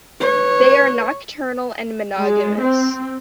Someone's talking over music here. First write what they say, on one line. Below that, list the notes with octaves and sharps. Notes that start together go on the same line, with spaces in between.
They are nocturnal and monogamous.
B4 C#5
G#3
C4